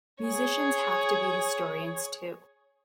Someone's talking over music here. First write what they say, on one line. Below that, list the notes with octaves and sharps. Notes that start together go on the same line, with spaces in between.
Musicians have to be historians, too.
G#4 C#5